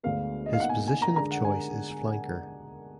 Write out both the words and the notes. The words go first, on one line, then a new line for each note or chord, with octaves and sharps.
His position of choice is flanker.
D2 D3 G#3 B3 F5
D#5
F5
B2 A#3 D#4 F#5
G#5
G#5
A#5
D3 G#3 D4 A#5
F#5
G#5